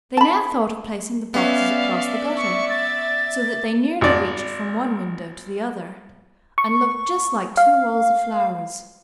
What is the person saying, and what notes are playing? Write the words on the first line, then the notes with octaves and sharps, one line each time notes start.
They now thought of placing the boxes across the gutter, so that they nearly reached from one window to the other, and looked just like two walls of flowers.
A5 B5
B3 C#4 D5 E5 F5
C#6
A6
G#1 D5
C#6
F5